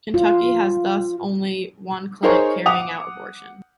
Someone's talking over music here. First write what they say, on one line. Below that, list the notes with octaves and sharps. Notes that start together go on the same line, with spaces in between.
Kentucky has thus only one clinic carrying out abortions.
F4
D#4 G#4 A#4 C5 C#5
F#5 D6 D#6 F7